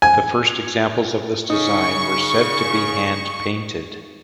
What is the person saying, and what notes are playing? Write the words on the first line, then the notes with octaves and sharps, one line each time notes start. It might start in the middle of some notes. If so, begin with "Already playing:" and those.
The first examples of this design were said to be hand-painted.
G#5
C#3 D#4 C#6